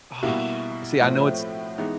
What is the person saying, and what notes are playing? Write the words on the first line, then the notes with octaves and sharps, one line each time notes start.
Oh, see, I know it's,
B2 G3 A#3 E4 F#4
A2 F3 A3 C4
E3 G#3 B3 D#4